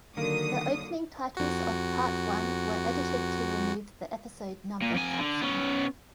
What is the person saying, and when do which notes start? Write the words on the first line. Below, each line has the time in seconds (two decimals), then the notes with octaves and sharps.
The opening titles of Part One were edited to remove the episode number caption.
0.17 D3 D#3 F#3 A#3 D#6
1.37 F2 F#4
4.82 A#2
4.94 F2 G#5
5.19 D3
5.42 B3 C#4